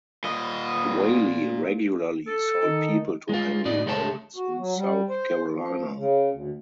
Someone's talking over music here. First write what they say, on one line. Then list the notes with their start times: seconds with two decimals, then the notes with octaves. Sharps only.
Whaley regularly sold people to Henry Laurens in South Carolina.
0.24 A#2 D#5
2.27 A4
2.63 D#3 D#4
3.29 G#3 F4
3.65 A2 D#4 D5 D#5
3.86 C#2 G#3 A3 C#5 G5 A5
4.36 F#4
4.58 F#3
4.76 G3
5.09 C5
5.53 F3
5.96 C#3
6.31 D2